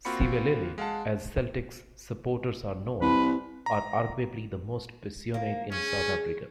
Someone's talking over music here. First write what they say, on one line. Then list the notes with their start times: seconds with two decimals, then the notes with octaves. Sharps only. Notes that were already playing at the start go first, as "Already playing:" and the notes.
"Siwelele", as Celtic's supporters are known, are arguably the most passionate in South Africa.
0.05 A#3 C4 F4 F#4 B5 C#7
0.78 G#3 F5 F#5 A5
3.02 C2 B4
3.66 A#5
5.34 A#3
5.72 C#4 G#4